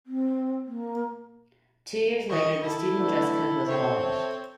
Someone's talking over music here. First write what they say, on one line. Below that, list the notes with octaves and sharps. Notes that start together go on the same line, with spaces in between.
Two years later, the student dress code was abolished.
C4
A#3
D#3 D#5 C#6
E4 A4
D3 E3 A3
A3 C4 A4 C5 C#5